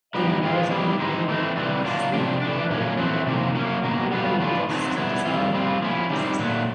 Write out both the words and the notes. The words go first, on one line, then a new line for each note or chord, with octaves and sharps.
and I wasn't really getting enough sleep, right? And I finally just decided I can't just
G3 B3 D#4 G4
E3 G#3 C#4 F4
G3 B3 E4 G4
D#3 G#3 C4 D#4
E3 A3 C4
C3 E3 G3
C#3 F#3 A#3 D4 F4
C3 F3 A3 D4 G4
E3 A3 D4
A#2 F#3 A#3 C#4
F#3 A3 C4
C3 F3 A#3
F#3 A#3 C#4
B2 F#3 A#3
D3 G3 B3 D4 F4
E3 A3 D4 F4
D#3 F#3 A3 C4
B2 G3 B3 E4
G3 C4 F4
G3 C4 F4
F3 A#3 C#4 E4
D#3 G3 C4
A#2 F#3 A3